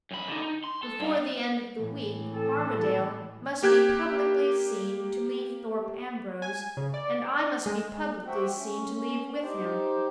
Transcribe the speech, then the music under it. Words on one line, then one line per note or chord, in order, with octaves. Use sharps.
Before the end of the week Armadale must be publicly seen to leave Thorpe Ambrose; and I must be publicly seen to leave with him.
F#2 B5
D3 D#4
D#4
C6
A4
G2 F5
A2 E3
C4 A4
A#3 G4 F#6 G#6
G#5
C#3
D5
G#3
F#4 G4 C5 E5 F#5 G5
C#4
D#4 G4 C5